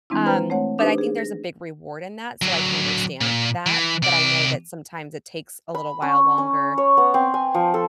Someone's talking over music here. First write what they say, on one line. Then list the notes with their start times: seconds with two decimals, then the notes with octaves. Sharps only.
um, but I think there's a big reward in that, so I can understand that. But I know that sometimes it takes a little while longer.
0.10 E3 G#3 C4 D4 E4
0.26 B4 C5 G5 A#5 F6
0.50 A3 C4 C#5 F#5
0.79 D4 D#4 G4 B4 C5
0.98 G#4
1.18 A#6
2.42 D3 F#3
3.21 A#2
3.66 E3
4.03 C3 D5
5.75 B5
6.02 C#4
6.38 C#4
6.78 C#5
6.97 B3
7.14 C4
7.34 G#5
7.55 F3
7.74 A4